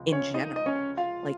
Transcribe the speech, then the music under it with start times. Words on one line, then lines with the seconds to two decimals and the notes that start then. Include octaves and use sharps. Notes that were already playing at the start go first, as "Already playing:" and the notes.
in general. Like,
Already playing: C#2 C3 F3 G#3
0.13 C#4 C#5
0.34 D#4 D#5
0.56 D#5
0.66 C#4 C#5
0.97 F4 F5